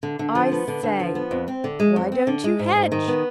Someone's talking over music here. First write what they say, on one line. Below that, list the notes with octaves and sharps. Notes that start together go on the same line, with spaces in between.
'I say--why don't you hedge?
D3
D3
F3
B3
D3
D3
F3
B3
F2
C4
D3
G#3
F2
C4
D3
G#3
G#2
G#2
D#3
B3